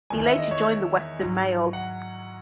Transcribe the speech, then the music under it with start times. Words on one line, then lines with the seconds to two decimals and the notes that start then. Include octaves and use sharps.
He later joined the "Western Mail".
0.10 E2 D#3 G#3 G#5
0.24 E5
0.37 D#5
0.51 C#5
1.19 G#2 F#3
1.73 F#5